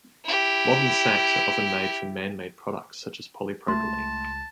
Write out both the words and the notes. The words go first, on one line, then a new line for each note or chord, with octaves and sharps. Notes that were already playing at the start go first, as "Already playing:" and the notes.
Modern sacks are often made from man-made products such as polypropylene.
E4 G4
C#2 A3 A5 C6